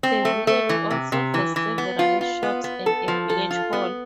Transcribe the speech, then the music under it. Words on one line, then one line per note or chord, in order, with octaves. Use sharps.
The village also has several shops and a village hall.
C4
A3
A3
E3
C3
C3
E3
E3
B3
F4
F4
B3
B3
A4
F3
A4
F4
B3